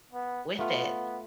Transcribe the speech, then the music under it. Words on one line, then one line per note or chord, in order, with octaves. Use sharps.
with it.
B3
A3 B3 F4